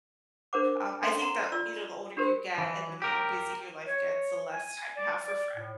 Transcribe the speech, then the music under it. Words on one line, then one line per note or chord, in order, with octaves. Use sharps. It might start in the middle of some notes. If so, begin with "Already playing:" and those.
um, I think that, you know, the older you get and the more busy your life gets, the less time you have for friend.
D4 A#4 C5 F#5 D6
C#4 A4 F5 F#5 C6
F#5 A#5 C6
F4 D5 E6
D4 F#4 G4 A#4 C5
E3
G4 A#4
C#5
G#5
D5
D5
A2